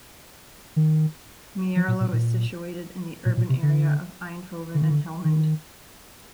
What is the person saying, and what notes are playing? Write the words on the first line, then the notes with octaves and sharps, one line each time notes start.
Mierlo is situated in the urban area of Eindhoven and Helmond.
D#3
F3
A#2
A#2
A#2
A#2
A#2
C3
D3
D3
D#3
D3
D#3